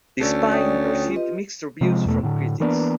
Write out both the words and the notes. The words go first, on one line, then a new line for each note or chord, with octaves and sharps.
"The Spine" received mixed reviews from critics.
D2 C#4 D5 A5 E6
C#5 G5 D#6
F4
G4 B4 D#5
C3 F3 G#3
E2 B2 A3
A2 D3
E3 A#3 B3 D4